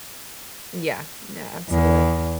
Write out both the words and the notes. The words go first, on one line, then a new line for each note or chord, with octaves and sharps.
Yeah. No, absolutely.
E2